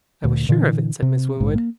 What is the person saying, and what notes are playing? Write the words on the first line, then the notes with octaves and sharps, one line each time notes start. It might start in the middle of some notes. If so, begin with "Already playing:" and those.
"I was sure of it," said Miss Winwood.
D2 A#2
A#2 D3 E3
C3
A#1 G#2
A#3